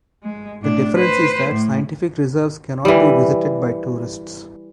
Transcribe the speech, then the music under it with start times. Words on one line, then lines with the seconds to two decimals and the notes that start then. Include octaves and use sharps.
The difference is that scientific reserves can not be visited by tourists.
0.23 G#3
0.62 A2 D4
0.96 B4 C5
1.49 A2
2.85 E3 G3